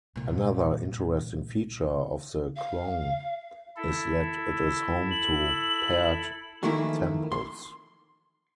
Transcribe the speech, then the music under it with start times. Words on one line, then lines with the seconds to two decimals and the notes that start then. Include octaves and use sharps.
Another interesting feature of the khlong is that it is home to paired temples.
0.16 C2 A#2
2.56 F5
3.76 E4 A4
5.11 F#7
6.63 F2 D#3 E3 A3 A#3 E4
7.32 C6